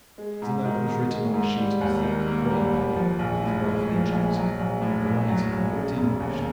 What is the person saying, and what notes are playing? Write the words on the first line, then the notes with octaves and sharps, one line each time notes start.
The note was written on a sheet of thick grey paper, with rough edges; the writing looked English.
G#3
G#2
D#3
G#2
G#3
G#2
G3
D#2
D#3
A#3
G3
D#2
F3
A#1
A2
G#3
F3
A#1
F#3
A#1
A2
A#1
F#3
A#1
C#3
E1
D#2